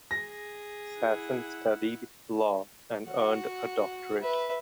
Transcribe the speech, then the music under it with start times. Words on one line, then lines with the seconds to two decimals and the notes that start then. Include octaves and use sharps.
Sassen studied law and earned a doctorate.
0.11 G#4 A#6
1.00 E4 F#5
3.07 F#4 F#5
4.21 B4 E5